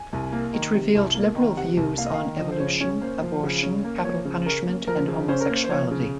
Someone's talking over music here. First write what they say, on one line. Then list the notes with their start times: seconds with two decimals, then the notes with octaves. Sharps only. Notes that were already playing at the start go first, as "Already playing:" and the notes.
It revealed liberal views on evolution, abortion, capital punishment, and homosexuality.
Already playing: G#5
0.13 C2
0.32 A#3
0.53 D#3
0.74 C3
0.95 C2
1.15 A#3
1.35 D#3
1.57 C3 F#5
1.77 C2
1.98 A#3 F5
2.06 D#5
2.14 F5
2.19 D#3
2.39 F3 D#5
2.51 C5
2.60 C#3 C#5
2.80 C#4 C#5
3.01 A#3 C5
3.22 F3
3.43 C#3
3.63 C#4
3.84 A#3
4.04 F3 C#5
4.25 C#3
4.46 C#4 A#4
4.66 A#3
4.87 F3 A#4
5.08 C#3
5.28 C#4 C5
5.41 A#4
5.49 A#3 C5
5.64 C5
5.69 F3 C#5
5.91 C#3